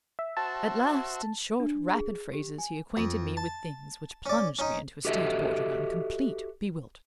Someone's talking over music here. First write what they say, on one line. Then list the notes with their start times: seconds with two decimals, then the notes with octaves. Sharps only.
At last, in short rapid phrases, he acquainted me with things which plunged me into a state bordering on complete bewilderment.
0.19 E5
0.37 F#4 C5 E5 A5
1.60 D4
1.94 G#4
2.33 G4
2.58 G#5
2.97 F2
3.37 A5
4.26 C#4 D5
4.59 C#4 D#4
5.05 F#4 G4 A4 B4 D#5 E5